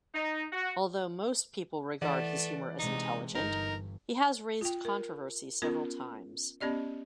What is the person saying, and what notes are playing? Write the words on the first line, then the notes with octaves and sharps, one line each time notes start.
Although most people regard his humor as intelligent, he has raised controversy several times.
D#4
F#4
E3 A3 D5 F#5
C3 G#3 D#4
G1 D#4 A#4
F4 G5
A#4
B3 C#4 F4 A#4
B3 C#4 G4 D5 D#5